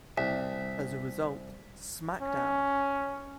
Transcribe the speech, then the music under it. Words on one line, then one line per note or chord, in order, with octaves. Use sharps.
As a result, SmackDown!
C2 E5
C#4